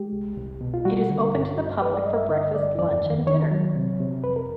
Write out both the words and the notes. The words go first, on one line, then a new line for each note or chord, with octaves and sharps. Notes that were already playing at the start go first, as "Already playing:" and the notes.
It is open to the public for breakfast, lunch and dinner.
Already playing: G#3 G4
C2
C2
B2
F4
G3 F#4
D3
G2
G2
G2 B4
D5
G2 D#5
E5
D3 D#5
G2 D5
F2 D5
D#3
D#3 C#5
F#3
C3
C3
F2 B4
A#4